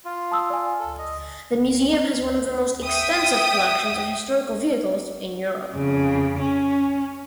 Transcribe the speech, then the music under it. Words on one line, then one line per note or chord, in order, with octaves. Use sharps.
The museum has one of the most extensive collections of historical vehicles in Europe.
F4
A5 D#6 E6
D5 G#5
A4
D#5
E5 G5 D#6
F2 C#3
C#4